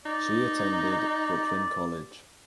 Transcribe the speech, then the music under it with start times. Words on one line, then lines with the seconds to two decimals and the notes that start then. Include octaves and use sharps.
She attended Brooklyn College.
0.06 D#4 D5